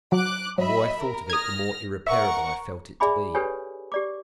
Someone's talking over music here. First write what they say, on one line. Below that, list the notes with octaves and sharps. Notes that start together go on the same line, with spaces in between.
The more I thought of it, the more irreparable I felt it to be.
F#3 D6 F#6
F#3 D#5 E5 B5
A#4
D#6 F6 G#6 A#6
A#4 E5 F#5 C#6
G#4 D5 E5 G#5 B5 D6
D4 G4 A4 B4 C#5 G#5
G4 D5 D6